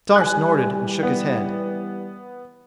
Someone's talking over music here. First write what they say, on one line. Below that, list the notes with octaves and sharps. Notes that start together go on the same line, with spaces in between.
Star snorted and shook his head.
E3 G3 G#5 F#6
B3